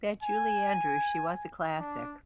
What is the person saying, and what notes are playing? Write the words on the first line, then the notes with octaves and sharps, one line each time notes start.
That Julie Andrews, she was a classic.
G#5
D4